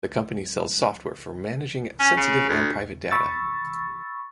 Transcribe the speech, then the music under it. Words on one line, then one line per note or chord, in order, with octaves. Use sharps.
The company sells software for managing sensitive and private data.
C#4
C#3
D2
B5 C#6 E6 A6